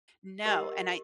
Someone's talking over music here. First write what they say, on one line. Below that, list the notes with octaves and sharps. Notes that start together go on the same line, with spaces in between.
No, and I
G4 A#4 D#5